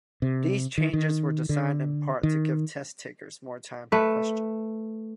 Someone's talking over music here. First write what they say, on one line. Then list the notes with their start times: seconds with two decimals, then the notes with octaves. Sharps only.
These changes were designed in part to give test-takers more time per question.
0.22 C3
0.78 D#3
0.93 D#3
1.49 D3
2.23 D#3
3.92 A3 B4